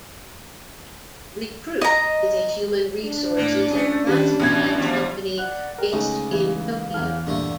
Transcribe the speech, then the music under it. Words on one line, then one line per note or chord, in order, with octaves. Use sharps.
Recruit is a human resources and classifieds company based in Tokyo.
D#5 A#5
D4
A2 A#3 B3
A3 C#4 G#4
D#3 G3 B4
A1 B2 E3 G#6
F3 G3
D5 F#5 D6 F#6
G4 A#4 G5
C#2 A3 D#4 G#5
E3 F5
E2 E3 A4 F6
G2 A#2 D3 A3